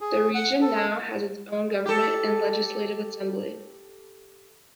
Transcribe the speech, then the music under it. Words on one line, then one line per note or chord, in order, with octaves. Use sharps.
The region now has its own government and legislative assembly.
G#4
F#5
A4
G4 A4